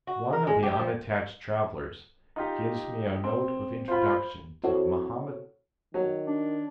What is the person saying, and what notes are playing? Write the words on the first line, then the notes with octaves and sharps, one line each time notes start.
One of the unattached travellers gives me a note of introduction to Mohammed.
F#4
A#4
G#3
G4
F3
D#4 F4 G4
C4
F4 C5 B5
C4 E4 F#4 A4 C#5
D#3 F#3
D4